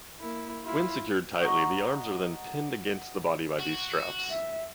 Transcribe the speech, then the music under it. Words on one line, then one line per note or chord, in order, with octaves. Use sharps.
When secured tightly, the arms are then pinned against the body by these straps.
A#3 E4
E4 F4
F#4 D#5 A#5
F#4
E5